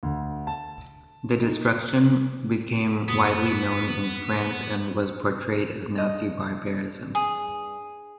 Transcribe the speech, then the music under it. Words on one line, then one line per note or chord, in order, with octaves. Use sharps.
The destruction became widely known in France and was portrayed as Nazi barbarism.
D2
A5
D#4
F#2 A#3 B3 D#6
G2 D#5
G#4